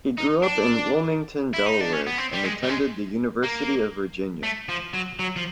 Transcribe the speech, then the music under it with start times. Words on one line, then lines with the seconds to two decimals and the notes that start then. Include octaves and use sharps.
He grew up in Wilmington, Delaware and attended the University of Virginia.
0.18 D#4
0.42 D4
1.53 E4
1.66 D#4
1.80 D4
1.93 C#4
2.07 B3
2.18 C4
2.33 G3
2.44 G#3
2.63 G3
2.68 G#3
3.43 A#3
4.43 A3
4.69 F3
4.94 F#3
5.19 F#3
5.36 F3